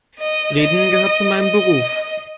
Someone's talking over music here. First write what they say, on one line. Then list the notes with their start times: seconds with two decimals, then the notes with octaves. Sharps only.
Reden gehört zu meinem Beruf.
0.20 D#5
0.60 D#5
1.41 D#5